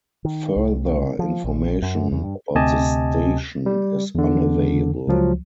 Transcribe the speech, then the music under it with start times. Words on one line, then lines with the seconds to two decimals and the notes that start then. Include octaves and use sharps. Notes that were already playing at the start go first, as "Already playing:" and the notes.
Further information about the station is unavailable.
0.25 D#3
0.56 C2
1.19 F3
1.44 A#1
1.82 F#2
2.12 E2
2.24 G2
2.55 D2 C3 G4 D#5 G#5 A5
3.66 G3
4.15 E2 D3
5.07 C#2 F3 F#3